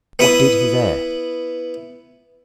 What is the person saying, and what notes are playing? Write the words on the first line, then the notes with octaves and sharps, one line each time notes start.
What did he there?
B3 E4 B5 D#6